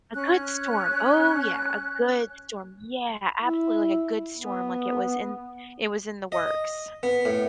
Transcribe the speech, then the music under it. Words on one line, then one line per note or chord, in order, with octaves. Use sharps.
A good storm. Oh, yeah, a good storm. Yeah, absolutely, like, a good storm. Like, it was in it was in the works.
C#4 F#6
E4
B3
D#5
B3
A2